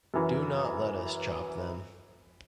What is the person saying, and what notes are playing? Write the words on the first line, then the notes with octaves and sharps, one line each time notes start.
Do not let us chop them.
F#2 E3